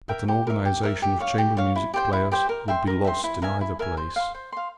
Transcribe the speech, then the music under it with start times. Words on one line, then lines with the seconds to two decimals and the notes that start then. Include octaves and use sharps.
But an organization of chamber-music players would be lost in either place.
0.09 A#4 E5 G5
0.28 G4
0.47 A#4 E5
0.65 G4
0.83 A#4 E5
1.02 G4
1.20 C#5 F5
1.38 G4
1.57 C#5 F5
1.76 E4
1.94 G4 C5 G5
2.13 E4
2.32 G4 C5 G5
2.49 A#4
2.68 E5 G5 C6
2.87 A#4
3.05 E5 G5 C6
3.24 E4
3.42 A#4 E5 G#5
3.61 E4
3.79 A#4 E5 G#5
3.97 C5
4.16 F5 C6
4.35 C5
4.52 F5 C6